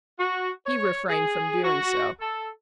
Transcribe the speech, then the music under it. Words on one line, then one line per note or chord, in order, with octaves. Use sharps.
He refrained from doing so.
F#4
C#5
G#4
F#4
A4